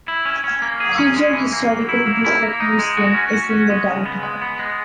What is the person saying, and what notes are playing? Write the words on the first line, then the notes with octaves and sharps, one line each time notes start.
Pigeon Historical Depot Museum is in the downtown.
E4
C#4
C#4
A#3
G#4
C#4
G#3
E3
A#3
F#3
E4
A#3
E4
A#3
D#4
G#3
F#4
C#4
F#4
C#4
G#3
C#3
B3
G#3
B3
G#3